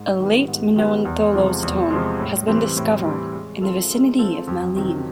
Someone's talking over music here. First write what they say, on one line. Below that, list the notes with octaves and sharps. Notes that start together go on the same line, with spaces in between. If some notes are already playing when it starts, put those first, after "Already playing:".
A Late Minoan tholos tomb has been discovered in the vicinity of Maleme.
Already playing: G#2
D#3 G3 B3
G#2
D#3 G3 B3
E2
C3 F3 G#3
E2
C3 F3 G#3
A2
E3 G3 C4
A2
E3 G3 C4
G#3
C4 F4 A4
G#3
C4 F4 A4
F2
C3 D#3 F#3